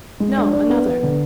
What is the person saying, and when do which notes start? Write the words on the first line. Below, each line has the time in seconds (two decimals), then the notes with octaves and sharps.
"No, another."
0.20 G#3
0.37 D4
0.53 D4
0.70 B3
0.85 B3
1.03 D3